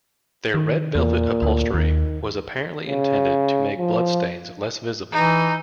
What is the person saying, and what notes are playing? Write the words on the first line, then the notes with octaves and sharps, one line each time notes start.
Their red velvet upholstery was apparently intended to make bloodstains less visible.
D#3
E2 A#2
D2
D#2 D#3
C#3
F3
E3 D#4